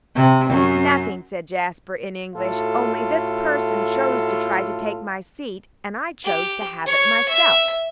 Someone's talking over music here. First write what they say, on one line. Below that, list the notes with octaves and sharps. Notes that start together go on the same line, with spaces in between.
"Nothing," said Jasper, in English, "only this person chose to try to take my seat, and I chose to have it myself."
C3
F#2
A2 F4 F#4 A4
G4
C#5
E5